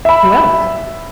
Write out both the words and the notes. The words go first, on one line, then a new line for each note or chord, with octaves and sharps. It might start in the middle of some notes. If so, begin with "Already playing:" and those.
"Who else?"
E5 B5